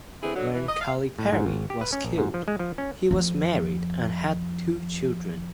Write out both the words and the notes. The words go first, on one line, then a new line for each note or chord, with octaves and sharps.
When Calipari was killed, he was married and had two children.
D3 E3 C4 E4 G#4
D3 F#3
E3
D#5
F5
A2
G#2
G#1
G4
B4
C#4
A#1
G#2
F3
G#3
F3
C#4
F2 F3